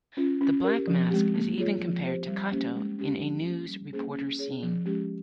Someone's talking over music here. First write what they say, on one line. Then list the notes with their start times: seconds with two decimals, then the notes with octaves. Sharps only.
The Black Mask is even compared to Kato in a news reporter scene.
0.17 C#4 F4
0.41 C#4
0.64 G4 A#4
0.87 F3
1.10 G#3 C4 G4
1.34 A#3
1.58 F4 G#4 C#5
1.81 F3
2.05 C4 G4 C5
2.28 G3
2.52 A#3 C#4 G4 C5
2.75 G#3
2.99 C#4 G4
3.22 F3
3.44 A#3 C#4
3.68 G3
3.92 A#3 C#4 G#4 C5
4.15 C#4
4.39 G#4 C#5
4.62 F3
4.85 G#3 C#4 G4